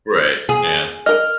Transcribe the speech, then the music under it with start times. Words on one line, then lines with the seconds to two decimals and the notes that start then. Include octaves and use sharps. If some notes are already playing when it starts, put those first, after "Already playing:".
Right, yeah.
0.49 G#4
1.06 A#4 D#5 F6